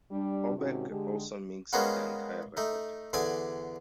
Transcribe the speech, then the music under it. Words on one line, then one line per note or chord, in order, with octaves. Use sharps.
Oberg also mixed the entire record.
G3 D4
G#2 C3 D#3 C#4 F#4
D3 G#3 G4
G3 G#3 A#3 B3 C#4 F#4
A3 D#4
E2 D3 D5 G#5 D#6